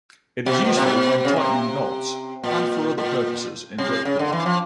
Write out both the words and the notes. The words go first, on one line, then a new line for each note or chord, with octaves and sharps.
It is useful when tightening knots and for other purposes in ropework.
B2
A#2
C3
B2
C#3
C3
A#2
A#2
C3
C#3
D3
E3
F3